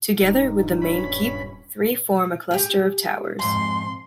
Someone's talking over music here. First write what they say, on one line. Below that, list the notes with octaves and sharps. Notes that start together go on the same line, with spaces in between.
Together with the main keep, three form a cluster of towers.
D#1 G2 D#4
C#4 B5
G4 G#4
F2 G#2 C6